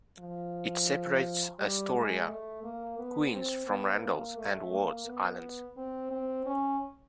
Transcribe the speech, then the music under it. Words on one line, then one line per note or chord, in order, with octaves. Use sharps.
It separates Astoria, Queens from Randall's and Wards Islands.
F3
G3
G#3
A3
A#3
B3
C4
B3
A#3
A3
A#3
B3
C4
C4
C#4